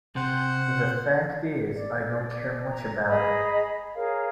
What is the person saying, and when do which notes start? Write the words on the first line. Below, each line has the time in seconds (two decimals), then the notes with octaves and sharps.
The fact is, I don't care much about it.
0.16 C3 C5 F#5
1.75 D5
2.69 A#5
3.06 G#4 D#5 A#5 B5
3.95 G#4 A#4 C#5 F5